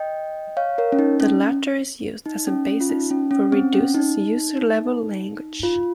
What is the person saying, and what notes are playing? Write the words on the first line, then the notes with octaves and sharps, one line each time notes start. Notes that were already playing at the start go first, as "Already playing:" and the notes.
The latter is used as a basis for Reduce's user-level language.
Already playing: D#5 G5
C#5 F5
A#4 C#5
C#4
D#4
C#4
D#4
C#4
C#4
F4
D#4
C#4
C#4
C4
C#4
D#4
F4